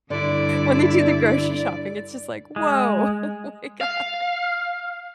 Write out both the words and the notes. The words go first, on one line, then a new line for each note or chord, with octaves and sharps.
When they do the grocery shopping, it's just like, "Whoa!" Oh my gosh.
G2 D3 E4 D5
G#3
F5